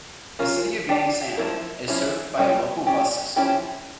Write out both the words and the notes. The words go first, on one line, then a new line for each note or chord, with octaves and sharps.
The city of Yangsan is served by a local bus system.
C#4 F4 A#4
D4 G4 D5
F3 A3 E4 A#4
F3 C#4 E4
G3 C#4 G4 C#5
C#4 G4 D5
F3 C#4 E4 G4